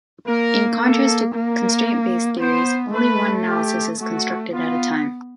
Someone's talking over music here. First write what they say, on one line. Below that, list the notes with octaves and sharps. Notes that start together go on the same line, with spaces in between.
In contrast to constraint-based theories, only one analysis is constructed at a time.
A#3 A#4
A4
A#3 A#4
B3 C5
A3 B4
G4
A3 F#4
B3 F4